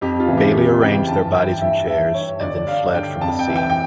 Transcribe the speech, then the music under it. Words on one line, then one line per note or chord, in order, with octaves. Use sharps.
Bailey arranged their bodies in chairs and then fled from the scene.
F2 G4
F4
C#3 E3
G4
F2
C#3 E3 G5
G2 A5
E3 G5
G2 E5
E3 E5
G2 C#5
D3 D5
G2 F5
D3 G5
F2 A5
G5
E3
G5
G5